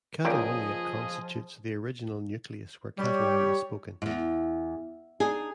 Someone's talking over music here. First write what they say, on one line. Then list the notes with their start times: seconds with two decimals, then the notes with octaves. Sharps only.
Catalonia constitutes the original nucleus where Catalan is spoken.
0.25 C#2 A#2 F3 F4 G#4 D#5 G5
2.99 G3 G4 C#5
4.02 E2 G#2
5.20 D4 D#4 G#4